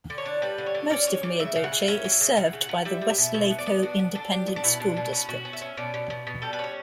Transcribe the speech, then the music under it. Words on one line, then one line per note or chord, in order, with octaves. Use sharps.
Most of Mila Doce is served by the Weslaco Independent School District.
D3
C#5
D4
G3 B4
D3
C#5
D3
C#4 D5
F#3 C#5
C#3 D5
C#3 E5
C#3
F#5
C#3
F#5
C#4 E5
F#3
E5
C#3
C#3 F#5
C#3
F#5
F#3
G3 E5
G3
E5
B2
B2 E5
B3
D5
B3
D4 F#4
B2
D4 A4
D4 G4
B3
D4
B2 E4
B2 D4
B2
E4
C#4
B2 F#4
C#4
E5
C#4
B2 D5
B2
B2
B2
G3 A4
B4
C#4 C#5